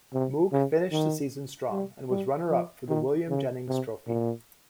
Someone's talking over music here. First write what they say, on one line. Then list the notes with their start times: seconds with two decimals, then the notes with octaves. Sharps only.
Moog finished the season strong and was runner-up for the William Jennings Trophy.
0.13 C3
0.53 C#3
0.92 D#3
1.71 G3
2.11 G3
2.50 F3
2.89 D#3
3.29 C#3
3.68 C3
4.07 A#2